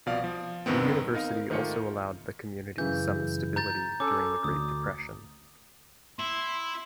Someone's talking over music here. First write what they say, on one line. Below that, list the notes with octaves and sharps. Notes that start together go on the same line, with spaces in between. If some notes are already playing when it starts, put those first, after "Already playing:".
The university also allowed the community some stability during the Great Depression.
C2 B2 F3 D5 F5
F3
E2 G2 D#3 B3 C4
D#4 A#4 F5
G#2 D#3 A3 F4 C#7
F#2 C#3 E3 G6
A#5 G6 A6
C#4 A4 D6
D2 D#6
E4 C6